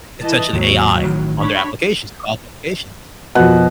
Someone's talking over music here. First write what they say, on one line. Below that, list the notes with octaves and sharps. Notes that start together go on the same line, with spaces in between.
essentially AI on their applications, their college applications.
E3 D#5 A5
D#2 G#2 F#3 A#3
A1 D#3
D4 C#5 B5
F2 B2 F#6